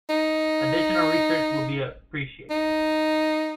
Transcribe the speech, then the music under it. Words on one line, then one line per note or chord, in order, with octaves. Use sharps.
Additional research would be appreciated.
D#4
D#4